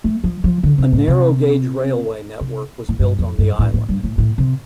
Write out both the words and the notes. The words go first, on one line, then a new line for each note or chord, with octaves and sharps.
A narrow-gauge railway network was built on the island.
A3
F3
F3
D3
C3
A2
C3
C3
A2
G2
F2
G2
A2
A2
G2
A2
A2
C3